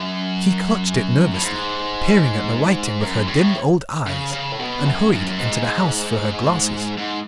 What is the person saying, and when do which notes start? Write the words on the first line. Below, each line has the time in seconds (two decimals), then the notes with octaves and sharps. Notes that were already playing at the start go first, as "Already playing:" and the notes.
She clutched it nervously, peered at the writing with her dim old eyes, and hurried into the house for her glasses.
Already playing: F#2
1.33 A2
1.42 G#2
3.01 F#2
3.27 A2
4.06 C#3
4.33 C#3
4.52 A2
4.59 B2
4.85 F#2
5.12 F#2
5.29 F#2
5.38 G#2
6.97 G#2